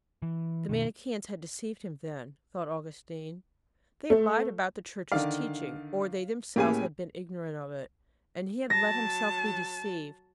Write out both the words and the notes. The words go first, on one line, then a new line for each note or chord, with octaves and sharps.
The Manicheans had deceived him, then, thought Augustine; they had lied about the Church's teaching; or they themselves had been ignorant of it, and he had let himself be deceived.
E3
B2 D#3
A3
D3 D#3 D5 F5
A2 A#3 C#4 G4 G#4 G#5
F#3 A5 A#6